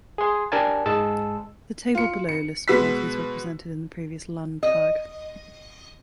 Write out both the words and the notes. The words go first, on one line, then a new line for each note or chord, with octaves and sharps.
The table below lists parties represented in the previous Landtag.
G#4 C6
D4 G4 A#4 D5 G#5 A5
G#2 G#3 A5 E6
F4 C#7
C#7
B2 G#3 F#4 B4 E6 B6
D#5